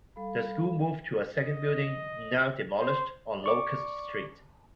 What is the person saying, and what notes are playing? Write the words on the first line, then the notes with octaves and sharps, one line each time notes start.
The school moved to a second building, now demolished, on Locust Street.
G3 A4 F5 B5
D#5
C5
D5 C#6 D6